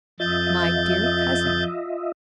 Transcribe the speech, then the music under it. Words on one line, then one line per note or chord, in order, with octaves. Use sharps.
"My dear cousin."
F2 F4 D#5 E5 G6 A6